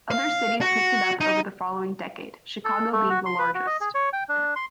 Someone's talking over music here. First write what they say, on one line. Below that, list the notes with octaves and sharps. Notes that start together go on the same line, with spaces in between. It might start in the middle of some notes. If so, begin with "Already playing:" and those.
Other cities picked it up over the following decade, Chicago being the largest.
F5
F#4
D#4
A4
A3
F#4
C6
B4
F#4
D#5
G#4
C#5
G5
D4
C6